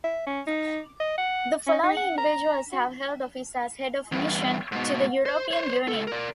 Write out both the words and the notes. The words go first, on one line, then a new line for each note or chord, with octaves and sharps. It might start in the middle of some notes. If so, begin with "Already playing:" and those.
The following individuals have held office as Head of Mission to the European Union.
E5
C#4
D#4
D#5
F#5
C#4
D#4
F#5
A#5
F#4
E2 G2
G#2 B2
C5
C5 C#5
C#2 A4
A#4 D5